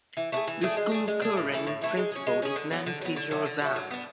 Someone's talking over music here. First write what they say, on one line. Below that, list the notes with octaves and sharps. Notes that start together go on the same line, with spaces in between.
The school's current principal is Nancy Girozan.
E3
A3 D4 G#4
E3
A3 D4 G#4
G#3
D4 G#4
G#3
D4 G#4
A2
E3 A3 E4
A2
E3 A3 E4
G#3
C#4 G#4
G#3
C#4 G#4
D3
F#3 B3
D3
F#3 B3
D3
F#3 A3
D3
F#3 A3
F#3
B3 D4